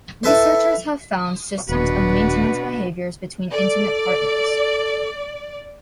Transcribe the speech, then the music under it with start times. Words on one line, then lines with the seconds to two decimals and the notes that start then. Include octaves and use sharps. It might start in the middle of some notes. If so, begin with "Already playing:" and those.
Researchers have found systems of maintenance behaviors between intimate partners.
0.23 E4 A4 B4 C5
1.69 D#1 B2 D4 F#4 B4
3.53 A4 D5